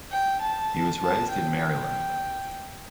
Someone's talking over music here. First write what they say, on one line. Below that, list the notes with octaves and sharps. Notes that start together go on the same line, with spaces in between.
He was raised in Maryland.
G5
A5
A5
G5
G5